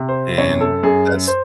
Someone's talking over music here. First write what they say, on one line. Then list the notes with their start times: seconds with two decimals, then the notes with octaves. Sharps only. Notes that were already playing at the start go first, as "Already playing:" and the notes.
and that's
Already playing: C3
0.09 C5
0.38 F#2 C#5
0.61 A4
0.83 F#2 G#4
1.27 C5